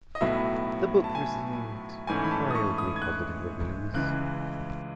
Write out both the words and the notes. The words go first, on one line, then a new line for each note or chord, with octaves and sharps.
The book received mildly positive reviews.
D#5
B1 A2 F#3 B3 E5
A5
G#5
G#2 E3 A3 C#4 G#5
B5
A5
D#6
C#6
D#6
G#6
F#6
C#2 C#3 E3 G#3 F#6